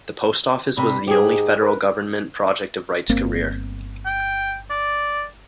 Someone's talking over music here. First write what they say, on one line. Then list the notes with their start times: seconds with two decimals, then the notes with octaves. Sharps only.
The post office was the only federal government project of Wright's career.
0.77 C3 D5 B5
1.07 G#2 G4 G#4
1.62 A#4 B4
3.09 G1 A#3 C4
4.06 G5
4.70 D5